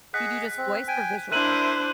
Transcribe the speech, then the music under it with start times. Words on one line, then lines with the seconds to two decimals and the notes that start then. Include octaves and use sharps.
Do you do just voice or visual,
0.14 G#4 D#5 F#5 F#6 B6
0.58 C4
0.88 G5 G#5
1.32 D4 E4 A#4 C5 E5 F#6 D#7 F#7